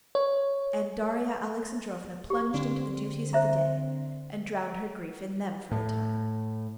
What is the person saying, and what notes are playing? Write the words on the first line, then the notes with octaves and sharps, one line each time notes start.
And Darya Alexandrovna plunged into the duties of the day, and drowned her grief in them for a time.
C#5
G4
D3 C4
C5 E5 A#5
A2